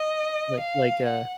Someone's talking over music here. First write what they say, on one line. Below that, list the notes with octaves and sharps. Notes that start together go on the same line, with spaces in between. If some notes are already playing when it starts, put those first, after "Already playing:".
Like, like, uh
Already playing: D#5
F5
F#5